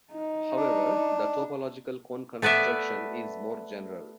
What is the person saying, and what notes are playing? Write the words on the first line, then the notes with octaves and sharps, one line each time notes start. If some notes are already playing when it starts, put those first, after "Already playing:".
However, the topological cone construction is more general.
D#4
D4
A3 B3 B4 D5 E5